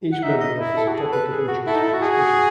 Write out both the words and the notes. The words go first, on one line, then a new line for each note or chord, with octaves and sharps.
Each member offers a topic of interest for discussion.
F#5
D#4 E5
D#5
E4
A4
F#4
G#4 A4
B4
G#4
F#4
E4 A4
D#4
E4
F#4
G#4